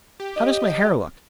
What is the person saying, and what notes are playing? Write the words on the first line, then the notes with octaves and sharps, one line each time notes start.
How does my hair look?
G4
D#5